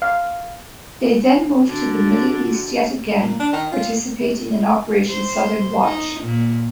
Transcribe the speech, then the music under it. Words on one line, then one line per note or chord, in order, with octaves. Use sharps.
They then moved to the Middle East yet again participating in Operation Southern Watch.
F5
D3 D4 F#4
A#2
D4
D#3
F4
C5
D#4
A#2